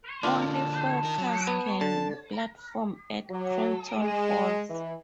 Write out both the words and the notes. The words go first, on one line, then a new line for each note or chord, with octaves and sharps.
Only four cars can platform at Croton Falls.
D3 A#3 D4 F4
A5
D#3 A#4
F#3
B3
D3 A5
F#3
G#3
E3